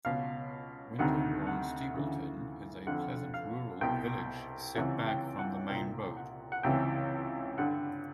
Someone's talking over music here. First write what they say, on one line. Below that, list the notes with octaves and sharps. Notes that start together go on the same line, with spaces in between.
Winterbourne Steepleton is a pleasant rural village set back from the main road.
C#2 B2 F5
D2 C3 D#3 F#5
F#5
D2 C#3 E3
F2 D3 F#5
F5
C2 B2 G5
C#2 C3 E3 F#5
G5
F#5
C2 A#2 G5
F#5
F#5
C#2 C3 E3 G5
G2 D3 F#5